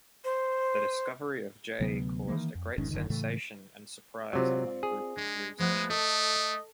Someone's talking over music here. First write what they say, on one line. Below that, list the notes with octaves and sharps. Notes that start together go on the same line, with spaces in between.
The discovery of "J" caused a great "sensation" and "surprise" among group theory specialists.
C5
D2 C3 F#3 B3
D#3 E3 G3 A#3
F2
F1 G#2 D#3 C#4
F1 F#2 D3 D#3
A2 C#3 E3 A3
C3 F#3 C4 F4 D5
G#4
G#3 D4
F3 G#3 A3 B3 F#5
A3 A4 D#5